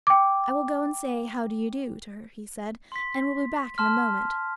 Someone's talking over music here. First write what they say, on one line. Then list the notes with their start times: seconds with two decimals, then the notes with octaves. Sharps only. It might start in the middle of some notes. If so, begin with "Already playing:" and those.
"I will go and say 'How do you do?' to her," he said, "and will be back in a moment."
0.07 G5 D6
2.92 C6 B6
3.78 A5 C6 F6